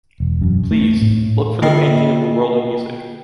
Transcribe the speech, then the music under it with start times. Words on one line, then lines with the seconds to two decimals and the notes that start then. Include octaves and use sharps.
Please, look for the painting of the World of Music.
0.20 E1
0.42 F#2
0.71 A3
1.02 A2
1.62 D3 A#3 F4 D#5 G5 C7